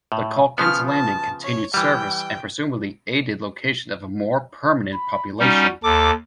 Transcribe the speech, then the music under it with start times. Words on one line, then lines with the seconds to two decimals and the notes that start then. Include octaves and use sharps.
The Calkins Landing continued service and presumedly aided location of a more permanent population.
0.12 A2
0.58 C#3 F3 B3 F6
0.89 A5
1.44 C#5
1.74 E3 G3 G5
4.93 B5
5.39 G3 C#4 D#4 F#4
5.84 D#2 A4 D6